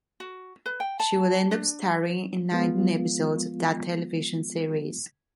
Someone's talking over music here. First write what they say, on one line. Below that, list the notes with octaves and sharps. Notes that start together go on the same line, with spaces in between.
She would end up starring in nineteen episodes of that television series.
F#4
B4
G5
A5
D4
F3 G#3 B3 F4